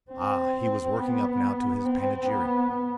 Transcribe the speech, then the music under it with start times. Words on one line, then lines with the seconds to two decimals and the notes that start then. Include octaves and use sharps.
Ah! he was working up now to his panegyric!
0.11 C4
0.98 B3
1.85 C4
2.28 B3